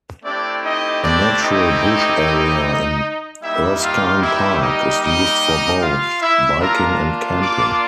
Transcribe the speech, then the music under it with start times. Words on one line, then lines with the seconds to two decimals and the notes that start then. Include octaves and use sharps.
A natural bush area in Erskine Park is used for both biking and camping.
0.22 A3 C4 D4 E4 G4 D5
0.62 D#4 D#5
1.03 D4 D5
1.42 D#4 D#5
3.41 G3 A#3 D#4 E4 G4 E5
3.81 F4 F5
4.21 E4 E5
4.61 D#4 D#5
5.01 D#4 D#5
5.81 F4 F5
6.20 E4 E5
6.60 A#3 D4 F4 A#4 A#5
7.40 D5 D6